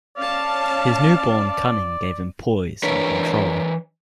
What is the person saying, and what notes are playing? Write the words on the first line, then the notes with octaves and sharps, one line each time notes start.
His newborn cunning gave him poise and control.
C#4 D5 F5 A5
E3 D4 A#4 B4 C#5